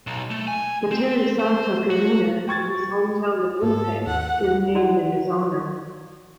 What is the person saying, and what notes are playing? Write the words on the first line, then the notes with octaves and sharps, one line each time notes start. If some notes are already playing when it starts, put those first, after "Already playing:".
The Terry Sawchuk Arena in his hometown of Winnipeg is named in his honour.
B1
A3
G#5
C4
C5
F#4
G5 C#6 G#6 A6
G#2 A4
D#2 F#5
E4 F#4 D5 F#5